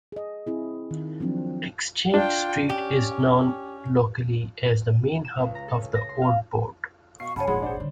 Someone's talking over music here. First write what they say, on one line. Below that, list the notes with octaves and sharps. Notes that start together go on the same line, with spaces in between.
Exchange Street is known locally as the main hub of the Old Port.
G#4 D#5
C4 E4 G#4
D#3
F3 F#3 C4 D4
D4 F4 G5
C#4 G4
E7
C#2
A#5
A4
C#4
A#6
C6
F5
B2 F5 C#6 C7
G2 C#3 C#5 F#5 G#5 A5 B5
D#1 G#1 G2 F3 G#3 G#4 F#5 B5
D4 C5
D3 G3